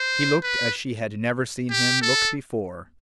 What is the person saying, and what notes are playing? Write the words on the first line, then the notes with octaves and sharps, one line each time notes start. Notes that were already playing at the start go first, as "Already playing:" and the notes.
He looked as she had never seen him look before.
Already playing: C5
B4
G4
A4